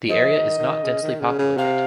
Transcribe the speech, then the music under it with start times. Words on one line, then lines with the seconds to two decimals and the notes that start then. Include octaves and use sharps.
The area is not densely populated.
0.09 F3 D#5
0.34 D#3
0.58 D#3
0.83 C#3
1.03 D#3
1.20 C#3
1.39 C#3
1.57 C3 F5